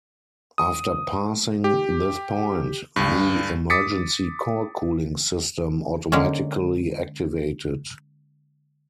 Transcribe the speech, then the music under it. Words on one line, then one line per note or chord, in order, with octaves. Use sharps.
After passing this point, the emergency core cooling system automatically activated.
D#6
G4
D2 G2
D6 D#6 A6 B6 C#7
D3 G#3 A#3 C#4